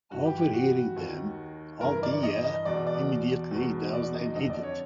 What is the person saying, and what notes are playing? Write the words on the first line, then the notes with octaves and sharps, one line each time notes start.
Overhearing them, Althaea immediately doused and hid it.
G2 E3 F#4
G4
G4
F#4
D#2 D#3
G2 E3 A#4
D5
D#5
D#5
E2 B2 D5
D5
E2 B2
D5
D#5
F2 D3 D#5
D5
C#5